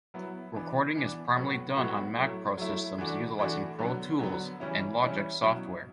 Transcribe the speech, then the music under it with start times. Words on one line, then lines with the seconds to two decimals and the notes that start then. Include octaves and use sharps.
Recording is primarily done on Mac Pro systems utilizing Pro Tools and Logic software.
0.14 F#3 B3 E4
0.55 E3 B3 D4
0.95 E3 B3 D4
1.36 A2 F#3 B3 F#4
1.76 A2 F#3 B3 F#4
2.17 F#3 A3 E4
2.57 F#3 A3 E4
2.98 E3 A3 D4 F#4
3.39 E3 A3 D4 F#4
3.79 D3 F#3 B3
4.19 D3 F#3 B3
4.60 E3 G3 C#4 E4
5.00 E3 G3 C#4 E4
5.41 B2 F#3 C#4 E4